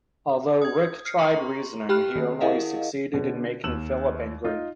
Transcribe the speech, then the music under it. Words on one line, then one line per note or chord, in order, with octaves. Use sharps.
Although Rick tried reasoning, he only succeeded in making Phillip angry.
D#6 G#6
F6 C7 C#7
A#5 C6 C#6
G4 G5 B5 F6 F#6
D#3 A#3
E4 G#4 A#4 D#5 F5 F#5
B2 D3 B3 C#4
D#2 E6 E7 F#7
D#4 F4